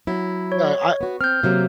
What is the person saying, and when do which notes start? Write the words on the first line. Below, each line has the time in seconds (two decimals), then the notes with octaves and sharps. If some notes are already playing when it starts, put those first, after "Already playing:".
yeah, I
0.07 F#3 E4
0.52 C#5
1.01 B3 F#4
1.21 C4 F6 G6
1.43 C3 F#3 A#3